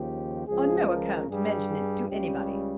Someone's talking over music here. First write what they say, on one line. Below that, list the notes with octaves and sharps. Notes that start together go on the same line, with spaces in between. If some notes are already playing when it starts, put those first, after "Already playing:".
"On no account mention it to anybody."
Already playing: D#2 C#3 F3 G4
C#2 C#3 F3 G#4
A#4
G2 G3 G#4
G#4
C#2 C#3 G3 G4